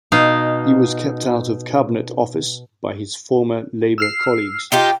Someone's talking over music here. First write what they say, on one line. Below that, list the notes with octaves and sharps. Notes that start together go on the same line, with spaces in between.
He was kept out of cabinet office by his former Labour colleagues.
B2 D#4 F5
E6 F6 C7
D#4 F4 G4 G5